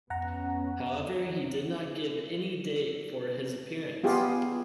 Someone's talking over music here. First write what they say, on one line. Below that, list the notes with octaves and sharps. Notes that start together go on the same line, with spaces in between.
However, he did not give any date for his appearance.
F2 B3 C#4 F#5 A#5
B3 F4 G4 G#4